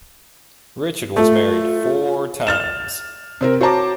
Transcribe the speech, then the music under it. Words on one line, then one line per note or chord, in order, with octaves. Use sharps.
Richard was married four times.
A3 F4
F6 A6 E7
C3 C4 A#4
F#4 C5 C#5 A5 A#5 D6